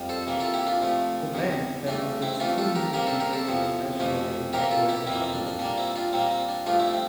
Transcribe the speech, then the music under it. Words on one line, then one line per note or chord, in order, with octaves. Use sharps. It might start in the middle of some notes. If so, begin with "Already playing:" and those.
The band then released two music videos internationally and went on tour.
Already playing: F2 G3
A4 C5
C3 E3 A#3
F4 A4
E4 G4
D4 F4
C3 F3 A3
E2 C3 G3
G2 E3 A3 D4
C4 E4
C3 E3 A3 D4 F4
F4 A4
G4 A#4
C3 G3 A#3 G4 A#4
A4 C5
G4 A#4
A4 C5
E2 C3 F3
F2 C3 E3 A3
C3 E3 A#3 G4 A#4
F4 A4
E4 G4
F2 E3 A#3 C4 E4
C4
D4
D4
A#2 G3 A#3 D4
C4 E4
D4 F4
A#2 G3 A#3 C4
C4
D4
G2 F3 A3 D4 F4
C4 E4
C4